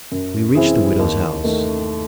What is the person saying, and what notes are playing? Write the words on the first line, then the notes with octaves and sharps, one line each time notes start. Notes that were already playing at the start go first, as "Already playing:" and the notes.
We reached the widow's house.
F#2
E3 C4 E4 G#4
D#2
D#3 A3